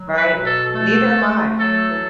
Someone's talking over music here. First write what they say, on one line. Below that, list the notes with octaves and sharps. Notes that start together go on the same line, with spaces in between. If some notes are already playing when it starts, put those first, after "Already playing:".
Right. Neither am I. Yeah.
Already playing: F#3
B4
B2
A4
A3 A4
A3
F#3 A4